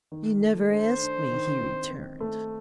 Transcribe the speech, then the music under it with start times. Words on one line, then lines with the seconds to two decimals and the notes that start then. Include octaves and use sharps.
"You never asked me," he returned.
0.12 D#3
0.42 A3
0.71 D4 C5
1.02 D4
1.32 D#3
1.60 C4
1.91 C4
2.20 A3